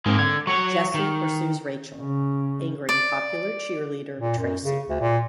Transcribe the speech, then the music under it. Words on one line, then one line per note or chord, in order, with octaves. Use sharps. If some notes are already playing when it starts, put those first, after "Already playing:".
Jesse pursues Rachel, angering popular cheerleader Tracy.
G#2 G#3 A#3 C4
D3 G#6
F#3 C#5 C#6
D#3
C#3
D5
A#2
F#2
C#3
D2
A#2